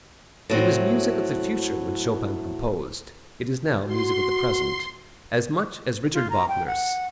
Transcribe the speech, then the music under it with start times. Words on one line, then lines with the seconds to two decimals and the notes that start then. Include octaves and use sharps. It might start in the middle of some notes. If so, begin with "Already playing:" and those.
It was music of the future when Chopin composed; it is now music of the present, as much as Richard Wagner's.
0.50 A2 F#3 C4
3.87 F#4 C6
6.14 F4
6.30 A#5
6.48 G5
6.67 F#5